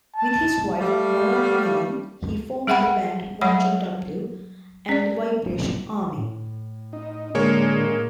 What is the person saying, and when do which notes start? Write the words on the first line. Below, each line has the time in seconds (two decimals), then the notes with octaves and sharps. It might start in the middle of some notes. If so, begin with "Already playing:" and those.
With his wife Moriah-Melin, he formed the band MoJoW and the Vibration Army.
0.16 A5
0.80 G3 A3 F5
2.67 G3 G#4 E5 F#5 G5 B5
3.41 F#3 G3 C#5 F#5 B5
4.89 C#4 D5
6.16 A2
6.93 D#4
7.35 D3 G#3 A#3 G#4 C#5